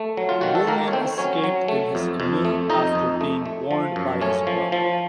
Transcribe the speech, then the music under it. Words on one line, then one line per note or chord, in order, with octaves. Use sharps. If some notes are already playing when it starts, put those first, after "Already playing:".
William escaped in his canoe after being warned by his brother.
Already playing: A3
F#3
F4
D#3 F#4
A4
D#3 A#3 A#4
C#5
A3 C4 C5
F#3 C#4 C#5
F#3
A3
F2
F2
A3
F2 D#4 D#5
F2
A3
A3
F3
F#2
A3 C#4 C#5
F3
F3